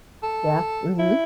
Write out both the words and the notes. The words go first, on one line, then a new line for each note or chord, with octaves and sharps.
Yeah, mhm.
A4
E4